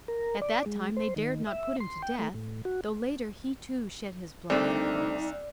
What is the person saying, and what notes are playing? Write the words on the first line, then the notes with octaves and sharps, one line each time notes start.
At that time they dared not put him to death, though later he, too, shed his blood for Christ.
A#4
D5
G#3
C5
D#3
E5
C6
G5
A3
A2
F#4
C2 D3 A3 C4 D#4 D5